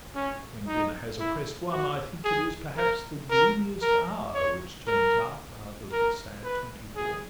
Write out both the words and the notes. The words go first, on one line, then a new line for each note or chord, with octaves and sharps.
When dinner has opprest one, I think it is perhaps the gloomiest hour Which turns up out of the sad twenty-four.
C#4
D#4
E4
F#4
G#4
A#4
A#4
A#4
C#5
A#4
A#4
B4
G#4